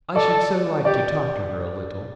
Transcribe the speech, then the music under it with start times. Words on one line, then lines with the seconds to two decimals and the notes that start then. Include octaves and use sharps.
I should so like to talk to her a little.'
0.16 A4 D5
0.85 G4 D5